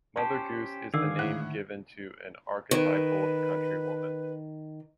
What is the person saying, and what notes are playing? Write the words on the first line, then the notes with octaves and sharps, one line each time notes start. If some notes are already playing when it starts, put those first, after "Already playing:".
Mother Goose is the name given to an archetypal country woman.
C#4 G4 C5 A5
D3 D#3 G#4 F5 D6 E6
A2 F#5 F#6
D#3 B4